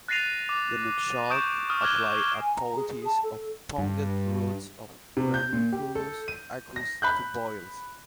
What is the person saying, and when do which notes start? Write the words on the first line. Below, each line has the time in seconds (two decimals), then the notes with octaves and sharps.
The Nuxalk apply a poultice of pounded roots of Ranunculus acris to boils.
0.08 F#6 A6 A#6 C7 D#7 F7
0.49 D6
1.30 C#6 D#6 G6 D7 E7
1.70 C#6 D#6 F6
1.81 D6 F6 F#6 G#6 G7
2.41 G#5
2.56 A#5
2.76 G#4
3.05 A5
3.24 A4
3.78 G2
5.17 C3
5.34 G6
5.53 A#2
5.72 G4
5.95 A4
6.28 D#7
6.76 A#6
7.02 B5 F#6 G6